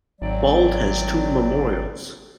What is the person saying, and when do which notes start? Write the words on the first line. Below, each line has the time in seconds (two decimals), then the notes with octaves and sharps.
Bald has two memorials.
0.22 G#1 F#3 C4 D5